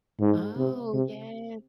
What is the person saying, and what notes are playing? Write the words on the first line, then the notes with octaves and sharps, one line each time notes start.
Oh, yes.
G#2
C3
C3